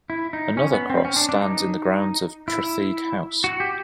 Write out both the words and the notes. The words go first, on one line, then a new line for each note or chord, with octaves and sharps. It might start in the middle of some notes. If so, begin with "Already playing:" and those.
Another cross stands in the grounds of Tretheague House.
E4
D#4
C#4
B3
C4
C#4
D4
D4
D#4
E4
F#4
G4